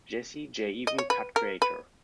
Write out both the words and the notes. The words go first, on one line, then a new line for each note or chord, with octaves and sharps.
Jazzy Jay-even Cut Creator.
D#5
C#5
B4
A#4
B4